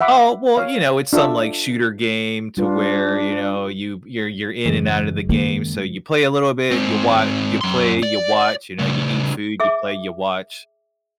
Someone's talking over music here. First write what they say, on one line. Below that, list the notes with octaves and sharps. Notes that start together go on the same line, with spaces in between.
Oh, well, you know, it's some, like, shooter game to where, you know, you you're you're in and outta the game, so you play a little bit, you watch, you play, you watch, you know, you eat food, you play, you watch.
E5 F#5 B5 D6
C#5 F5
D4 F4 A4 E5 E6
G3 D4 F4 B4
F#2 C#3 E3 G#3
D#3 A#3
G#2 C4
F#2 C6
D5
C#3 A3
G#4 E5 D6